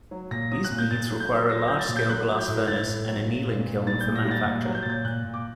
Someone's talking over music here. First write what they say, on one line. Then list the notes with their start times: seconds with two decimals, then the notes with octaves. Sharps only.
These beads require a large scale glass furnace and annealing kiln for manufacture.
0.11 F#3
0.31 A#2 A#6
0.51 F#3 D#6
0.64 F#6
0.71 A#2
0.78 G6
0.91 A#2 A6
1.11 F#3
1.20 G6
1.30 F#3
1.50 F#3 A#6
1.68 F#3 G6
1.79 A6
1.89 A#2
1.96 G6
2.08 F#3 F#6
2.29 F#3
2.39 G6
2.48 A2
2.68 A2 A6
2.87 A2
3.08 F#3
3.27 A#2
3.47 A#2
3.66 A#2
3.87 G3 A6
4.01 G6
4.06 A#2
4.16 A#6
4.25 G3
4.31 A6
4.45 A#2
4.65 F#3
4.75 G6
4.83 A6
4.85 A#2 G6
5.04 A#2 F#6
5.24 A#2
5.34 D6